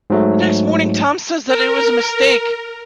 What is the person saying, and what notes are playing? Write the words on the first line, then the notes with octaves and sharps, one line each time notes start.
The next morning Tom says that it was a mistake.
G#2 F#3 A3
A#4